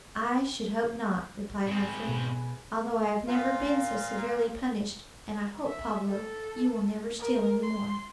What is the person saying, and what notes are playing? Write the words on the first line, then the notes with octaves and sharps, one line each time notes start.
"I should hope not," replied Humphrey, "although I have never been so severely punished: and I hope, Pablo, you will never steal any more."
G#2 C4 G#4 B4
B2
A#2 F4 F5
E5
A4
A#4
C6